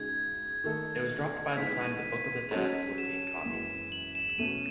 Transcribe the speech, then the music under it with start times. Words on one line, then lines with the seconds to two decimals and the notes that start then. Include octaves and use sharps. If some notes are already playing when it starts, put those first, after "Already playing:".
It was dropped by the time the Book of the Dead was being copied.
Already playing: C#3 G#3 D#4 F#4 G#6
0.64 D#3 A3 D#4 A4
1.57 E3 G#3 B3 D#4 B6
1.81 D#7
2.51 F#3 C#4 F#4 A4 C#5
2.98 E7
3.45 F#2 E3 G#3 C#4
3.92 F#7
4.15 E7
4.38 E2 B2 A3 C#4 D#7